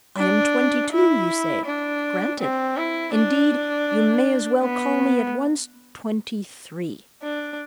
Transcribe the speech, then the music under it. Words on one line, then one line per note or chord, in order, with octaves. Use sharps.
I am twenty-two, you say, granted: indeed, you may as well call me, at once, twenty-three.
D4
E4
D4
C4
E4
D4
B3
D4